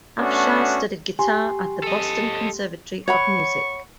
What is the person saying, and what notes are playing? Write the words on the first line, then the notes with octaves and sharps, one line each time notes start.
Afshar studied guitar at the Boston Conservatory of Music.
A3 B3 C#4 D4 F#4
G4 G#5 C6
A4 D#5
C#5 F#5 B5 C#6